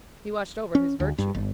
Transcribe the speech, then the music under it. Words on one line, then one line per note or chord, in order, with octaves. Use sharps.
He watched over his virtue.
C#4
D2
G2
G1